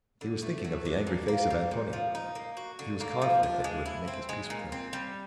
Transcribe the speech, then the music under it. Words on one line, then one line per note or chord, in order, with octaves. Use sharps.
He was thinking of the angry face of Antonia; he was confident that he would make his peace with her.
D3
A3
F#3
D4
A#2
A#3
G3
A#2
F3
D#4
A#3
F#4
D3
A#3
F3
D4
G#3
E4
C4
G#3
A#2
C4
G3